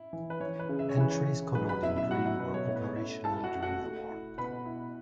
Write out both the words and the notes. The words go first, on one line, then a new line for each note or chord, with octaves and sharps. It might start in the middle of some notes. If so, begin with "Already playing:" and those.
Entries coloured in green were operational during the war.
Already playing: E4
E3
B4
E3 C#5
B4
C#3
E5
C#5
E3 B4
C#5
C#3
F#3 B4
B4 B5
B2 E4 E5
E4 E5
F#3 F#4 F#5
E4 E5
B2 B4
C#5
A2 C#5
B4
C#5
A3 E4 E5
E4 A4 A5
F#4 F#5
A3
F#4 F#5
A3
E4
B2 B4 B5
E4